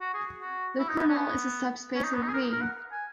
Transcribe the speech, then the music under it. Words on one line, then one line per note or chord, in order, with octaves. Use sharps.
The kernel is a subspace of "V".
F#4
G#4
F#4
E4
D#4
B3
C#4
B3
C#4
D#4
B3
D#4
G#4
A#4
A#4
F#5
G#5